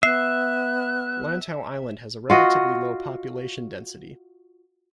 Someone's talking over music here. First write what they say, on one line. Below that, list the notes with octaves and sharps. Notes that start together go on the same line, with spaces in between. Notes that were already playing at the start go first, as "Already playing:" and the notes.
Lantau Island has a relatively low population density.
B3 E5 F#6 C7
F4 F#4 D#5